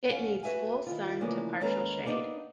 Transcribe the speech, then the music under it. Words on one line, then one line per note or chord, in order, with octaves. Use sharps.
It needs full sun to partial shade.
C#4 F5 F#5
F#4 B4 E5 F5 G#5
D#3 E4 F4
C#3 E3 F3 A3 A#3 D4
D#2 G#3 C#4 A4 B4 A#5
A#3 B3 D4 D#4